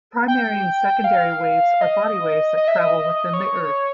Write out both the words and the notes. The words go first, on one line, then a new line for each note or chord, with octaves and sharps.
Primary and secondary waves are body waves that travel within the Earth.
G5
F5
D#5
D#5
E5
D#5
C#5